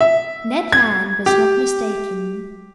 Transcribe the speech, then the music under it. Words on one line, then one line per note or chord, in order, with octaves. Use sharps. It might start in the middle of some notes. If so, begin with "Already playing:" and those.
Ned Land was not mistaken.
E5
G#6
G4